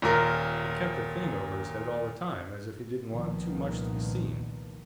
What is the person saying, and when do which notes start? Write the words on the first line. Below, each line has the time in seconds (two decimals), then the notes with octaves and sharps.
He kept a thing over his head all the time, as if he didn't want too much to be seen.'
0.02 D#1 A#2 A#4
3.08 C2 A#2 D#3 F3 A#3 B3